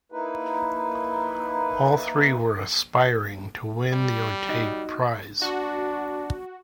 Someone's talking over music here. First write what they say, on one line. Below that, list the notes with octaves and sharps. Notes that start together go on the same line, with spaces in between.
All three were aspiring to win the Orteig Prize.
A#3 D#4 E4 B4
G3
D#4 F#4 D#5
D4 F#4